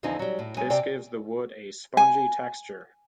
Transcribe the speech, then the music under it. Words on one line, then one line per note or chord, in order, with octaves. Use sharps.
This gives the wood a spongy texture.
E2 D3 F3 C4 D#4 G#5
F#3 G3
A2
F#3 G#3 C4 G#5
C3 G4 D5 G5
G#5